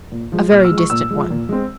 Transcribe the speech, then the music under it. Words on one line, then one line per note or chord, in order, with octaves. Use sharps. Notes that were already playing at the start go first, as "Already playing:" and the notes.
"A very distant one."
A#2
F3 G#3
A#2 F6
E6
F3 G#3
C#6
A#2 E6
F3 G#3
A#2
G#3 C4